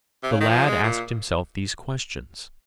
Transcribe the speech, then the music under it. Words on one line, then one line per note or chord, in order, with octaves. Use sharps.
The lad asked himself these questions.
C3
C#3
D#3
F3
G#3
A#2